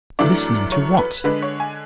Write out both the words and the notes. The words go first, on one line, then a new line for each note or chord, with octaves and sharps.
Listening to what?
F#2 E3 A3 D4 D5
C#5
B4
D3 G#3 D4 B4
C#5
G#5